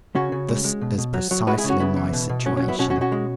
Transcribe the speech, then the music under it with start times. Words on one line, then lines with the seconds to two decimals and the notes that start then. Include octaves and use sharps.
This is precisely my situation.
0.15 C#3 C#4 F#4
0.32 C#3
0.49 G#3
0.65 G#3
0.81 B2
0.98 B2
1.14 F#3
1.31 F#3
1.47 G#3 F#4 B4
1.58 E4 G#4
1.64 C#3
1.69 C#4 F#4
1.80 C#3 B3 E4
1.97 E3
2.13 B2
2.29 B2
2.46 F#3 C#4
2.57 C#4
2.62 F#3
2.68 B3 E4
2.79 B2 C#4 F#4
2.90 C#4 F#4
2.96 B2
3.01 C#4 F#4
3.12 G#3